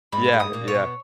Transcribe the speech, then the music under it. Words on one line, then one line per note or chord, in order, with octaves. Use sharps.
Yeah, yeah.
G#2 G#3 B5
A#3
G#2 G#3
D#6
A#2 A#3
C#5
B2 B3